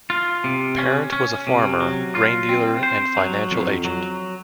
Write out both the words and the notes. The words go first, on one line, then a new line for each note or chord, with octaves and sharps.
Parent was a farmer, grain dealer and financial agent.
F4
C3
C#4
C#4
C3
F#3
F4
C4
C5
F#3
F2
F#3